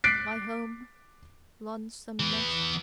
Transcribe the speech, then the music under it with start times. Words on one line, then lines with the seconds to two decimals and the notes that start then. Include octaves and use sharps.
My home, lonesomeness!
0.04 D6 F#6 A6 B6 C7 D7
2.20 E3 B3